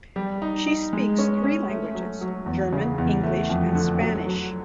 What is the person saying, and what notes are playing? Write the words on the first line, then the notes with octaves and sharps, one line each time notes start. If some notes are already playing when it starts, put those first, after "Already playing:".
She speaks three languages, German, English, and Spanish.
G3
D#4
D#4
G#3
C#4
C#4
A3
F#3
F#3
E2
C#3
E2
A3
F2
D3
F#3
F#3